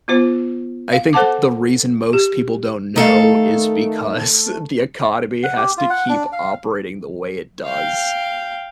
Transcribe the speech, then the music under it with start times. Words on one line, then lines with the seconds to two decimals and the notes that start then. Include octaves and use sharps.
I think the reason most people don't know is because the economy has to keep operating the way it does,
0.08 B3 F4 C5
0.93 F5
1.13 A4 C5 F#5 A5 D6
2.13 G4
2.96 D#3 A3 A4 F5
5.43 F#5
5.57 G4
5.78 F4
5.90 F#5
6.09 D4
6.32 F5
7.65 F5 G5